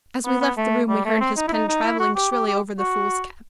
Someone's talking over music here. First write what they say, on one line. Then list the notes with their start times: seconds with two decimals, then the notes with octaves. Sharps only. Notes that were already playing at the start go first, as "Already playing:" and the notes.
As we left the room, we heard his pen travelling shrilly over the foolscap.
0.25 B3
0.41 B3
0.57 A3
0.89 G3
1.05 A3
1.20 C4
1.37 D#4
1.48 E4
1.53 D#4
1.68 D#4
1.84 E4
1.99 F#4
2.16 G4
2.31 G4
2.47 G4
2.79 F#4